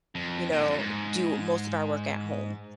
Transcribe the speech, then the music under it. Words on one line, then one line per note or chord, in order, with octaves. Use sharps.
you know, do most of our work at home.
F2
A#2
G#2
F2
G#2